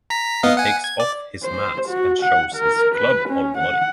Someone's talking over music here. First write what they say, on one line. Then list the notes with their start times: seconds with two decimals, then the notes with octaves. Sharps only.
He takes off his mask and shows his club all bloody.
0.10 A#5 B6
0.43 B3 D#5 F5
0.57 F#5 G#5
0.84 G#6
1.00 D5
1.43 C5
1.89 F#4
2.23 F#5
2.56 A#4
2.95 B4
3.29 C#4
3.58 F#5